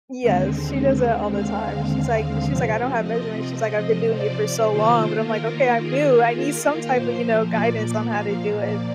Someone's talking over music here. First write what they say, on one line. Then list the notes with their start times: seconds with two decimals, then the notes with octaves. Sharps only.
Yes, she does it all the time, she's like m she's like, "I don't have measurements." She's like, "I've been doing it for so long." But I'm like, "Okay, I'm new. I need some type of, you know, guidance on how to do it."
0.22 D#2 D3 G#3 C4
1.34 F5
2.46 C3 F3 C4
3.02 D#5
3.58 D#5
4.14 D5
4.70 D#3 A#3 F4 C5
5.26 A#4
5.82 G#4
6.38 A#4
6.94 A#2 F3 A#3 C5
7.49 D5
8.06 F5
8.62 D5